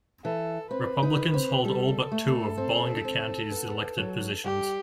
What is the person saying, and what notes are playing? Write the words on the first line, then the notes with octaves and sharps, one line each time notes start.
Republicans hold all but two of Bollinger County's elected positions.
E3 A4
C4 B4
D#4
C4
G3 A4
A3
C4
D#4
C4
B3
F#3
G3 G4